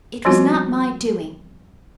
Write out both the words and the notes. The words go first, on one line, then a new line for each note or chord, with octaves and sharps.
"It was not my doing."
F3 G3 B3 C4 F4 F#4